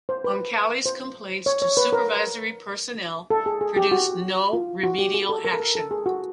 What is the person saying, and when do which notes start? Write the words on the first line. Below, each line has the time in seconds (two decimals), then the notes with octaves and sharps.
Oncale's complaints to supervisory personnel produced no remedial action.
0.09 C5
0.24 B4
0.86 C5
1.46 C#5
1.62 C#5
1.77 B4
1.93 A#4
3.30 A4
3.46 G#4
3.61 G#4
3.76 G4
3.91 F#4
4.53 F4
4.83 F#4
4.99 G4
5.14 G#4
5.29 A4
5.45 A#4
5.53 A4
5.60 A#4
5.75 A4
5.91 G#4
6.06 F#4